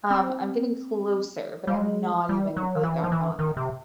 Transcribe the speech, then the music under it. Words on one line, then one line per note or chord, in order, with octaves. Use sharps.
um, I'm getting closer, but I'm not even like, I'm not there,
C4
G3
G#3
G3
F#3
D#3
E3
F3
E3
D#3
C3